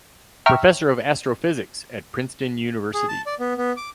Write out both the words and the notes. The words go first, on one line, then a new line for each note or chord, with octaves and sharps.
Professor of Astrophysics at Princeton University.
E5 G5 A#5 C#6 E6 F6
G#4
A5
D5
B3
B3
D6